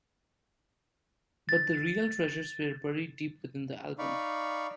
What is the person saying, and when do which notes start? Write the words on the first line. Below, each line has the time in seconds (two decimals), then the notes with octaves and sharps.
But the real treasures were buried deep within the album.
1.49 A6
3.99 D#4 D5 F5 B5 C#6